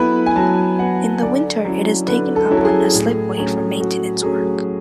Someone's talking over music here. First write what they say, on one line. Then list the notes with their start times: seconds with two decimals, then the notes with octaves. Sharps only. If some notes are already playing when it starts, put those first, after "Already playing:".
In the winter it is taken up on a slipway for maintenance work.
Already playing: F#3 B3 E4 A4 B4
0.26 G#5
0.36 F#3 A5
0.79 B3 E4 F#5
1.23 D3 D5
1.65 F#3 C#4 E4
2.08 D3 B4
2.36 A4
2.51 F#3 C#4 E4
2.57 A4
2.65 G#4
2.94 A2
3.37 F#3 A3 C#4
3.80 A2 F#4
4.23 F#3 A3 C#4 G#4